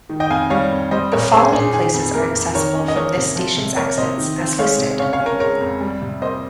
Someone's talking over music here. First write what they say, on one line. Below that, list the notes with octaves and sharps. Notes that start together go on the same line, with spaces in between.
The following places are accessible from this station's exits as listed.
D#3
D#5 G5
F2 F5 G#5
G3 C#5 F5
F2
G3 C5 D#5
A#2 A#4 C#5
C#4 G#4 C5
A#2 G#4
D#3 G#4
F2
A#3 A#4
F2
D#3 A#4 C#5
C#4
D#5
A#3 A#4 C#5
C3
F3
C3
A#3 A#4 C#5
C3 C5 D#5
D#3
C4
G#3 C#5 F5
C3
C#3 C#5 F5
C#5 F5
C#4
A#4 C#5
G#3 A#4 C#5
F2
G3
C3
A#3 C5 D#5